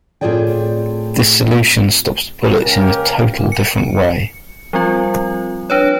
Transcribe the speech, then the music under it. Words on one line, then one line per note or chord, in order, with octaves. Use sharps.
This solution stops the bullets in a total different way.
A2 C4 F4 G#4 D5 G5
C#2 A#3 C#4 G4 A#4
C#7
F3 G3 C4 F4
D4 B4 C#5